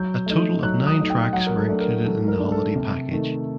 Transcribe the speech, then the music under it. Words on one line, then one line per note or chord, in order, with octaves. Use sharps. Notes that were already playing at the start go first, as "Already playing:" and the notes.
A total of nine tracks were included in the holiday package.
Already playing: F#3 G6
A3 D#4
F#3 F#6
D#6
A3 D#4
G5
F#3 F#5
A#4
A4
A3 D4
A#4
F#3 A4
A#4
A3 D4
A4
C3
D#3 A3